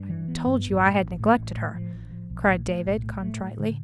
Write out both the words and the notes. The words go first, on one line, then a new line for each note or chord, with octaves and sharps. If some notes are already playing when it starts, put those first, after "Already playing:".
"I told you I had neglected her," cried David, contritely.
Already playing: G2
E3
B3
G2
A1
A2
A1
A2
A1
A2
F3
A1
F3
B1
A2
A2
B1
A2
A3
A2
D3